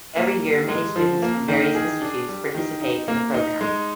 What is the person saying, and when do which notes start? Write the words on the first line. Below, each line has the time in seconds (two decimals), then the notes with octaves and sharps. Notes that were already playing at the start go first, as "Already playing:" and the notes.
Every year many students from various institutes participate in the program.
0.16 A#3
0.42 G3
0.69 G#3
0.96 F3
1.22 A#3
1.48 D#3
1.75 G#4
2.02 D4
2.29 G3
2.55 D#3
2.81 D#4
3.08 A#3
3.34 D#4
3.61 G#3